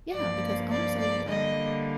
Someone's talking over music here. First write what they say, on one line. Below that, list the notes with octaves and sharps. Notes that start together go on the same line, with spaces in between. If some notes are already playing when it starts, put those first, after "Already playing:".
Yeah, because, honestly, um,
G2 F3 A#3 D5
D5
D5
D3 G3 A#3 D#5